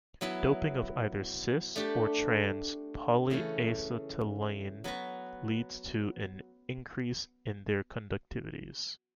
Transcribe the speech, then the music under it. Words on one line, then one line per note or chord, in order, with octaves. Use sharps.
Doping of either "cis"- or "trans"-polyacetylene leads to an increase in their conductivities.
F#3 B3 E4 B4
A3 D4 G4
C#3 E3 A3 C#4
F#3 B3 F#4 B4